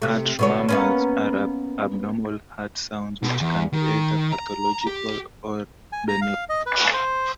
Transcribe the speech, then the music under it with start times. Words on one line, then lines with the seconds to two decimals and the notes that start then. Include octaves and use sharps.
Heart murmurs are abnormal heart sounds which can be either pathological or benign.
0.02 C3 A3
0.39 B2 D3 C#5
0.69 A#3 B3 C#4
3.23 B2
3.41 E2
3.73 D#3
4.32 A#5
4.87 G4
5.92 G#5
6.09 A#5
6.22 F5
6.49 D#5
6.66 B4
6.93 C5